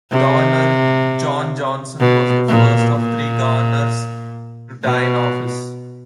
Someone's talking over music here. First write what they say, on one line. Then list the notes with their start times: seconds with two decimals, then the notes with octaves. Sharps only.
Governor John Johnson was the first of three governors to die in office.
0.11 C3
2.00 B2
2.48 A#2
2.95 A#2
4.84 B2